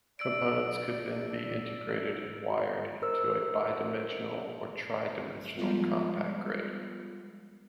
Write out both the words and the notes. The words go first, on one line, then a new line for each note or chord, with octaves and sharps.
Components could then be integrated and wired into a bidimensional or tridimensional compact grid.
D5 E6 D7
A#4 C5 E6
F3 G3 G#3 B3 F4